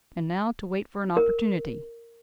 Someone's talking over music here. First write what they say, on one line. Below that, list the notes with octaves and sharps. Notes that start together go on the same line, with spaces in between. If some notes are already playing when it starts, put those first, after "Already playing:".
And now to wait for an opportunity!
A#4